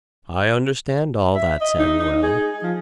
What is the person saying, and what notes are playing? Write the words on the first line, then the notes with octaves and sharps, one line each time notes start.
"I understand all that Samuel."
E5
D#5
D#4
D#4
G#4
F3